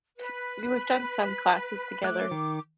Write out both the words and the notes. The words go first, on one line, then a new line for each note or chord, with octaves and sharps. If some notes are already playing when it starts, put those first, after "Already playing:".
t y we've done some classes together.
B4
A3 D6 F#6
D#3